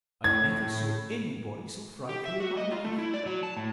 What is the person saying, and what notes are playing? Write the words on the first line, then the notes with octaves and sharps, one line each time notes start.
I never saw any body so frightful in my life!
A2 G#6
G4
E5
F#4
D#5
F4
A3
E4
D5
F#3
A5
A2